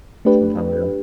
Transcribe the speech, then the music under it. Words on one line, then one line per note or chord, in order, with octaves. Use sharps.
sometime ago.
A3 D4 G4 B4